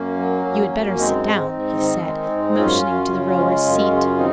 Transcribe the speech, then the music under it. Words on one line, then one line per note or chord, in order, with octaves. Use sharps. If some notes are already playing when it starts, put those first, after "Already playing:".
"You had better sit down," he said, motioning to the rower's seat.
Already playing: F#2 A#3 C#4
F#3
F#2
F#2
G#3 C4 D#4
G#2
G#2
D#3
G#3
G#2
F#2 C#4 F4
F#2
C#3
G#3
F#2
C#3
D#3 C4 D#4